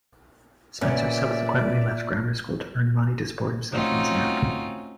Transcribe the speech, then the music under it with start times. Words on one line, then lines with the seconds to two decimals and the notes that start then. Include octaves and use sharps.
Spencer subsequently left grammar school to earn money to support himself and his aunt.
0.81 A#2 B3 C#4 D5 E5 G#5
3.72 A3 C4 C#4 D#4 F4 F#4